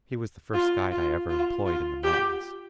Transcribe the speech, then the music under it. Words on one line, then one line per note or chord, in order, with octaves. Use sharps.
He was the first guide I ever employed in the mountains.
F4
F4
F4
F4
G4